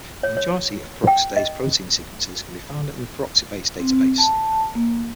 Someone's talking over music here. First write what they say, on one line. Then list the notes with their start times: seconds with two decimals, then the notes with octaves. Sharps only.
A majority of peroxidase protein sequences can be found in the PeroxiBase database.
0.23 C#5
0.37 C#5
1.07 G5
1.36 D#5
3.80 C4
4.18 A5
4.75 A#3